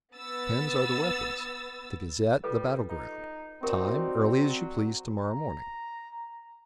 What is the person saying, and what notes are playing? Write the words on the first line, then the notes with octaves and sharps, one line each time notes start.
Pens are the weapons; the--Gazette, the battle-ground; time, early as you please to-morrow morning.
B3 E6 A6
G3 F4 A4 B4
D#4
C4 D#4 F#4 G4 A#4 D5
F#3
A#5